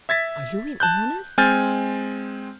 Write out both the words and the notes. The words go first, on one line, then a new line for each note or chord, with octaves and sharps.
"Are you in earnest?"
E5 G#6 A6 B6
A5 F#6 G6
G#3 C4 G#5 F6 G6 A6